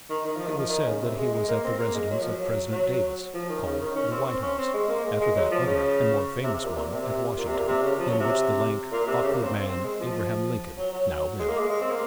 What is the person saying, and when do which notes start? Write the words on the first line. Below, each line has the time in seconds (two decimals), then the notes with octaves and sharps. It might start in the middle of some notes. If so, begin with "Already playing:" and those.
It was said that he was at the residence of President Davis, called the White House, after that other and more famous one at Washington, in which the lank, awkward man, Abraham Lincoln, now lived.
0.09 D#3
0.25 D#3
0.36 F3
0.47 D#3
0.57 F3
0.68 D#3
0.86 C#3
1.01 C3
1.17 G#3
1.33 G#3
1.48 A#3
1.64 C4
1.78 A#3
1.94 G#3
2.09 F#3
2.21 F3
2.32 F#3
2.72 F#3
3.34 F3
3.49 D#3
3.65 C#3
3.80 D#3
3.96 C#4
4.11 C4
4.27 C4
4.42 C#4
4.58 C4
4.73 G#3
4.88 A#3
5.04 G#3
5.20 G#3
5.35 F#3
5.51 F3
5.66 C#3
6.43 C3
6.54 C3
6.63 A#2
6.74 A#2
6.90 C3
7.37 A#2
7.47 C3
7.57 A#2
7.67 C3
7.82 C#3
7.98 F3
8.08 F#3
8.19 C3
8.92 A#2
9.06 C3
9.22 C#3
9.33 A#3
9.43 C4
9.53 C4
9.68 C4
9.84 G#3
10.00 F3
10.77 F#3
10.92 F#3
11.39 G#3
11.49 A#3
11.58 G#3
11.69 G#3
11.80 C4
11.91 A#3